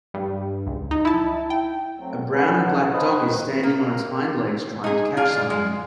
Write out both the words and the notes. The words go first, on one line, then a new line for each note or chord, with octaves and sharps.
A brown and black dog is standing on its hind legs trying to catch something.
G2
C#2
D#4
E4 A5
G5
F#3 A3 C4
D3 F#3 C#4 B4
F#5 A5
B4 C5 D#5 B5 D#6 F#6
A#3
D#4 G#4
F4 G#4 D5 F5
G#3